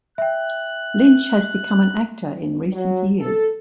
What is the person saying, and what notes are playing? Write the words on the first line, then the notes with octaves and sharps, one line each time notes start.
Lynch has become an actor in recent years.
E5 G5 F#6
F#3
A4